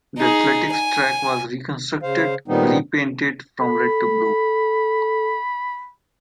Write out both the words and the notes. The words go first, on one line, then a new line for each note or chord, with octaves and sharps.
The athletics track was reconstructed, repainted from red to blue.
D#4 G#4
G#5
C#3 C5 F5
A#2 D#3 G3 B3 C4 D#4
A4 B5